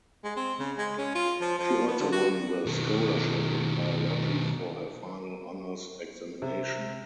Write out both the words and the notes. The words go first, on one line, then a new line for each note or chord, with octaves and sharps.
She also won the scholarship in biology for her final honours examination.
G#3
C4
C#3
G#3
C#4
F4
F3
F3
B3
D3
F#4
B2 D#3
C3